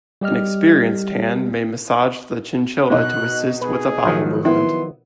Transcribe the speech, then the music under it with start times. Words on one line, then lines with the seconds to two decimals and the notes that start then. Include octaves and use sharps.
An experienced hand may massage the chinchilla to assist with a bowel movement.
0.21 G3 G4 D#5 F6
2.90 B2 D#4 F#6
3.61 G#4 B4
4.04 D#3 F3 F#3
4.45 B3 E4 C6